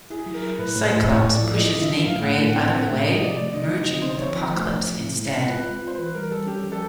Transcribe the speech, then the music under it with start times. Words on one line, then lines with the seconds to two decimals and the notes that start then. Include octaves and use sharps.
Cyclops pushes Nate Grey out of the way, merging with Apocalypse instead.
0.10 E4 G#4
0.26 F#3
0.34 A#4
0.42 E4
0.58 A2 B4
0.76 A2
0.84 C5
0.92 A2
1.08 A2 C#5
1.25 A2
1.32 D5
1.41 F3
1.57 E4 D#5
1.73 D#3
1.81 E5
1.90 F#3
2.06 A2 F5
2.22 A3 F#5
2.38 A2 F#5
2.54 C4 G5
2.71 C4 F#5
2.87 A2 E5
3.04 F3 D#5
3.20 C3 D5
3.37 A3 D5
3.53 F#3 D#5
3.69 D#4
3.78 D#5
3.86 D3
4.02 C4 C5
4.18 F3 C#5
4.35 F3 C5
4.51 A3
4.67 A3
4.83 A2
5.00 E4
5.16 G#3
5.33 C4
5.49 F4 B4
5.65 G#3
5.82 F4 C5
5.97 E3 B4
6.14 G3 A#4
6.31 G3 A4
6.47 C#4 G4
6.64 F3
6.72 A4